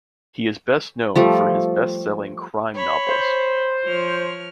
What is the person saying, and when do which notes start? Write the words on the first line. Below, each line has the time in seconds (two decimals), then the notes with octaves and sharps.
He is best known for his bestselling crime novels.
1.15 F3 G3 A3
2.74 C#5 B5
3.07 C5
3.85 F3 C#5 F6